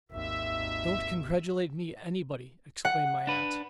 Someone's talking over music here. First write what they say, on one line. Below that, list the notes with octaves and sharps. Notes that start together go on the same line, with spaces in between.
'Don't congratulate me, anybody!' exclaimed my aunt.
G#1 D#2 E5
F#5
D4 B4